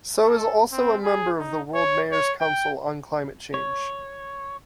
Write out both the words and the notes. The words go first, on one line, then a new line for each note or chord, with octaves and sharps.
So is also a Member of the World Mayors Council on Climate Change.
A4
C4
G#4
D#4
C#5
C#5
G5
C#5